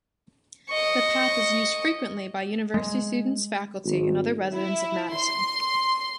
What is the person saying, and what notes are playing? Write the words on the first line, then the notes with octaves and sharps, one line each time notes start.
The path is used frequently by university students, faculty, and other residents of Madison.
D#5 C#6
G#3
G#1
E4
C6